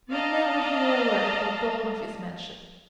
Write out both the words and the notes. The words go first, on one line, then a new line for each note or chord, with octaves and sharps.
We never hear a word but Dolokhov is mentioned.
D5 D#5 F5 A5 A#5